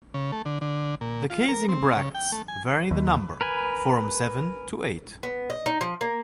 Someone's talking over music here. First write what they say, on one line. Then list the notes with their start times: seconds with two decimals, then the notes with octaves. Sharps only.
The casing bracts vary the number, form seven to eight.
0.14 C#3
0.32 A3
0.45 D3
0.61 D3
1.01 A#2
1.30 F4
1.48 A#4
1.69 C4
1.96 C#3
2.15 G5
2.32 A3
2.48 G#5
2.91 D#2
3.41 A#4 B4 G#5
5.23 B3
5.50 D#5
5.66 D#4
5.81 F3
6.01 A#3